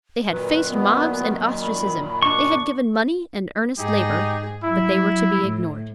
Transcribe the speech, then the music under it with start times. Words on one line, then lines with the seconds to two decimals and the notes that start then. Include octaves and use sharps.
They had faced mobs and ostracism; they had given money and earnest labor, but they were to be ignored.
0.29 F#2 A#2 D#3 B4
0.69 B3
1.61 B5
2.22 D4 C#6
3.78 G#2 D#4 G4 G#4
4.63 F#3 E4
5.41 A2